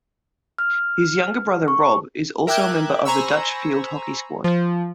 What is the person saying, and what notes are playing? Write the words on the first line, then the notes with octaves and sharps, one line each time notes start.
His younger brother Rob is also a member of the Dutch field hockey squad.
F6
C#6
A#4 E5 G5 D6 F#6 G#6
C5 G#5 A#5 B5 C#6 E6
F3